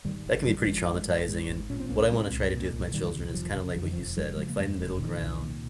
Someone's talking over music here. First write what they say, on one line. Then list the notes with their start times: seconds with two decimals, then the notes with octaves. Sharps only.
that can be pretty traumatizing, and what I want to try to do with my children is kinda like what you said, like, find the middle ground,
0.05 G#2 D#3 G3
0.26 G#1
0.46 G#2 D#3 G3
0.60 G3
0.67 G#1 F3 G#3
0.87 G#2
1.08 G#1
1.29 G#2
1.49 G#1
1.70 A#2 C#4
1.80 C4
1.89 C2 A#3 C#4
2.11 A#2 G#3 C4
2.32 C2
2.52 A#2
2.73 C2
2.94 A#2 D#3 G3
3.15 C2
3.34 F1 F3
3.55 C#3
3.75 F2 F3
3.84 D#3
3.91 F3
3.97 F1
4.17 F1 F3 G#3
4.37 C#3 F3 G#3
4.49 A#3
4.58 F2 F3 G#3
4.79 F1
5.00 A#2 D#3
5.21 C2
5.41 A#2